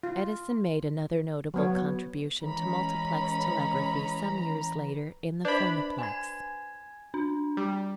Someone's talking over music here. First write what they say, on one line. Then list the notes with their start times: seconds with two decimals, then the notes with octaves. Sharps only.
Edison made another notable contribution to multiplex telegraphy some years later in the Phonoplex.
0.03 F4
1.54 F#3 B3 C#5
2.43 E3 G#3 C#4 A#5 B5
5.45 D4 B4 C5 B5
5.99 G#5 G#6
7.14 D4
7.57 G3